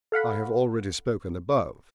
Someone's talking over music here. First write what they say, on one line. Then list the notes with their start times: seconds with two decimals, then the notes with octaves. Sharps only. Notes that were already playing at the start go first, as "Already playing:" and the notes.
I have already spoken above.
0.12 A4 F5 F#5 B5